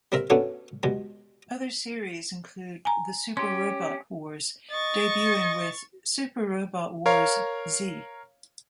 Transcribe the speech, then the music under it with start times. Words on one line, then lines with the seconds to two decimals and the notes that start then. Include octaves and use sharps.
Other series include the Super Robot Wars, debuting with "Super Robot Wars Z".
0.12 G3 C4 A#4 E5
0.30 A3 B3 C#4 D4 F#4 A4
0.83 B2 G3 G#3
2.85 G#5 A#5
3.37 C#4 G4 C6
4.71 D#5 C#6 A6
7.06 A#4 C#5 F5